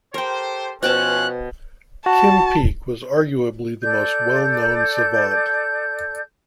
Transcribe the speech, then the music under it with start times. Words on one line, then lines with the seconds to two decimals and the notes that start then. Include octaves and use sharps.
Kim Peek was arguably the most well-known savant.
0.14 G4 A4 A#4 C5 G5
0.83 B2 F3 C#4 B4 C5 G5 A5 F#6
2.06 F#4 A5
3.82 A4 D5 G6